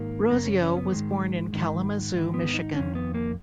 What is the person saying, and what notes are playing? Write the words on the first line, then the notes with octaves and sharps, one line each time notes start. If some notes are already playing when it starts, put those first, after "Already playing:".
Rossio was born in Kalamazoo, Michigan.
Already playing: G#2 D#3 A#3
F#2 C#3 A#3
C#4
C#4
B3
G#2 D#3 G#3
G#2 D#3
G#2 D#3
B3
D#4
F2 D#3 C#4
B3
A#3